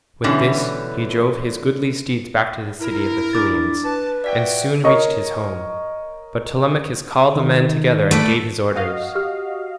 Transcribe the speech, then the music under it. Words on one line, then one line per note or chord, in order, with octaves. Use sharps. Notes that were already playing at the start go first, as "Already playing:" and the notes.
With this he drove his goodly steeds back to the city of the Pylians and soon reached his home, but Telemachus called the men together and gave his orders.
B2 D3 E3 G3 C#4
E4 A#4
D4 D6 A6
B4 A5
F#4 D5 E5 G5 B6
A#4 C#5 D#5 C#6
D#3 D#4
A3 B4 D5
F#4 D#5 F5
G4 F6